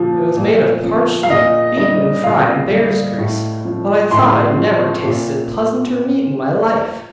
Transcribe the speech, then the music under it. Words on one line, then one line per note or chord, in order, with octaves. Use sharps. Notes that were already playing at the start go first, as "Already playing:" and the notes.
It was made of parched wheat, beaten, and fried in bear's grease, but I thought I never tasted pleasanter meat in my life.
Already playing: A#2 F3
A#2
F3
F5
A#2 D#5
G3 D#5
A#2 F5
G3
A2
F3
A2 C6
F3
A#2